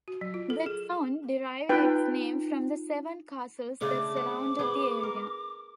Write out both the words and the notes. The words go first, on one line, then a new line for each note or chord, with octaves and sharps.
The town derived its name from the seven castles that surrounded the area.
F#4
F#3
F4
A4
G#4
D#4 F4 B4 G5
C#3 A3 D4 D6
C4 F#5
B3 G#4
A#4